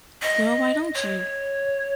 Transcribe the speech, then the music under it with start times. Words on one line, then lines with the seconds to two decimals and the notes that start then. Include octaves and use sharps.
Girl Why Don't You?
0.22 D#5
0.94 C#5